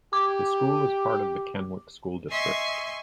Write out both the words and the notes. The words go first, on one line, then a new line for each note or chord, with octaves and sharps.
The school is part of the Kennewick School District.
G4 D6
D#5 E5 G#5 C6 C#6